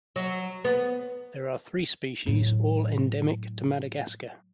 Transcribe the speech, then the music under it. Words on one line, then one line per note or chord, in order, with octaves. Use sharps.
There are three species, all endemic to Madagascar.
F#3
B3
A2 F#3